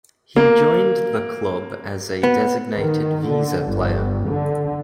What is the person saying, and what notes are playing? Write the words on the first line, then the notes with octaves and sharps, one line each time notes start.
He joined the club as a designated visa player.
A#3
B3
D#3
D3
G1
D3